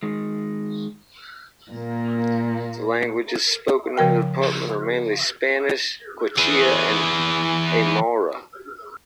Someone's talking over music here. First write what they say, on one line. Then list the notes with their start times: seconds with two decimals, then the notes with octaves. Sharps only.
The languages spoken in the department are mainly Spanish, Quechua and Aymara.
0.03 D#3 G#3
1.72 A#2 A#3
3.97 C#3 F3 A#4 G5
6.38 E3 G#4